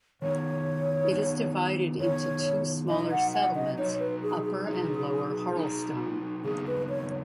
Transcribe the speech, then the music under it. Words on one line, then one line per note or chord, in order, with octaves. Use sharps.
It is divided into two smaller settlements, Upper and Lower Harlestone.
D#3 B3 D#4 C#5
D#3 B3 D#4
D#3 B3 D#4 C#5
F#3 D#4 D#5
F#5
F#5
D#5
F#3 D#4 C#5
B4
G#4
G#4
F#3 D#4
F#3 D#4
C#3 F#3 B3 D#4 G#4
B4
C#5